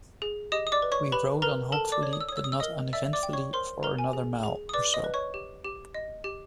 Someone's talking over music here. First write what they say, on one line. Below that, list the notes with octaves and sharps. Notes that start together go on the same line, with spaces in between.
We rode on hopefully but uneventfully for another mile or so.
G#4
G4 D#5 D#6
D#6
D5 D6
B4
C#5 C#6
G4 B4 B5
A#4 B4 A#5
A4 A#4 A5
D5 D6
C#5
D#6
E6
D#6
C#5 E6
D#6
E6
A#4 D#5 D#6
D5 E5 E6
D5 D6
G5
C#5 C#6
A#4 C5 C6
A#4 A#5
G#5
G#4
G#4
D#6
B4 D5 D6
D#5 D#6
B4
C#5 C#6
G4
G4
D#5
G4